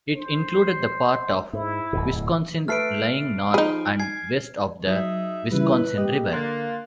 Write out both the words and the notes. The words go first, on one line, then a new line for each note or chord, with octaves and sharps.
It included the part of Wisconsin lying north and west of the Wisconsin River.
C5
G#2 E4
D1 E2 B2
A3 A4 B4 F6 C7 D7
F3 D#4 G#4 B5
G#5 G#6 C7
F#3 D#4 G#4 E5
A#2 C#3 E3 G3 E4 B4
A#3 G4 D#5
D3 A#3 C6 F#6 A6